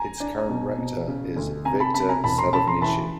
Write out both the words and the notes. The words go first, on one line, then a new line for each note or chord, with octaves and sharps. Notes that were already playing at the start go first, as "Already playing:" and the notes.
Its current rector is Viktor Sadovnichiy.
Already playing: G#5 A#5
D4
B2
B2
C#3
D2
C3 G#5 A#5
A5 B5
C3 A5 B5
G#5 A#5
E1 A5 B5
A#5 C6
C#3 A5 B5
A#5 C6
E3 A5 B5